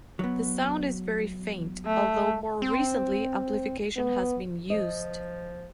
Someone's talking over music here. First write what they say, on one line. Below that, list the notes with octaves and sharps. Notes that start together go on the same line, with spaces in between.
The sound is very faint, although more recently amplification has been used.
F#3 B3
A3
C4
B3
F3 D#5